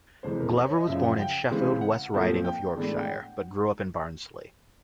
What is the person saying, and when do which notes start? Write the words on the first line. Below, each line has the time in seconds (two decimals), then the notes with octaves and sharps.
Glover was born in Sheffield, West Riding of Yorkshire, but grew up in Barnsley.
0.23 F2 C3 E3 G#3 C5
0.40 A#4
0.56 C5
0.66 C#5
0.76 D#5
0.87 F#2 C#3 F3 E5
1.03 F#5
1.19 G5
1.50 C#3 E3 G#3 C4
1.81 F#5
2.14 A#2 F3 A3 C4
2.44 G5
2.76 A2 E3 G#3 B3 D4
2.98 G5
3.09 F#5